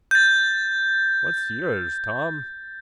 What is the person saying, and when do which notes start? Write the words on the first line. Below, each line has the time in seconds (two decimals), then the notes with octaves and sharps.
What's yours, Tom?
0.11 G6 A6